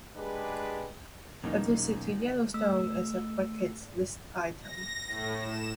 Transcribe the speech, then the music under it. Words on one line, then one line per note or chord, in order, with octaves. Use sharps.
A visit to Yellowstone is a bucket list item.
G#3 D4 G4 G#4 B4
E2 B2 F#3 A#3 C#4 D#4
A3 E6
A#6
A2
E7